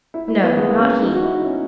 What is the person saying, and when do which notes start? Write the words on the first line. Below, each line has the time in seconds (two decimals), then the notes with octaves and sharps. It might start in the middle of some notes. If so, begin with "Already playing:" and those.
No, not he.
0.14 E4
0.28 E4
0.44 B3
0.57 G#3
0.69 A#3
0.79 C#4
1.01 D#4
1.12 F#4
1.24 E4
1.34 D#4
1.45 C#4